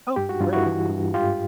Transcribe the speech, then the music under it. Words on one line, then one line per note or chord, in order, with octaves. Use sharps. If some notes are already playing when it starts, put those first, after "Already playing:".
Okay, great.
G2 G4
F#4
G2 F4
E4 F#4
E3
G2
G#2 F4 G4